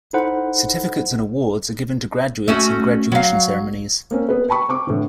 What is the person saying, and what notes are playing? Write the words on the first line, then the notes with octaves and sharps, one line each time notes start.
Certificates and awards are given to graduates in graduation ceremonies.
D#4 E4 A4 C5 F#5 B5
A3 C#4 F#4
F#3 F5
A#3 C4 C#4
B3 B4
G5 A5 B5 C#6
C4 C#6 D6
A2 D3 E3